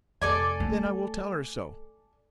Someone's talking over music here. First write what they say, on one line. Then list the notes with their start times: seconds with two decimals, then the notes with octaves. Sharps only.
"Then I will tell her so."
0.22 F1 A4 D5 G#5
0.60 A3